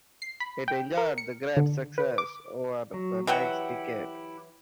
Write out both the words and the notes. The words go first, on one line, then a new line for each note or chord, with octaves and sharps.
It enjoyed great success over the next decade.
C7
B5
G5
A#4
C#7
D3
B4
D6
F#3
E3 F#3 E4 G4 F#5 G5